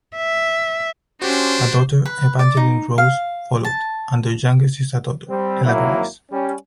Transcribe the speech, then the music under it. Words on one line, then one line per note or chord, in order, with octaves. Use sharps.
A daughter, Evangeline Rose, followed, and their youngest is a daughter, Ella Grace.
E5
C#4 D4 F#4 G4 C5 C6
B4
D5
D#4
F5
A5
G3 C4
G#1 F#3 A#3 E4
G3 C#4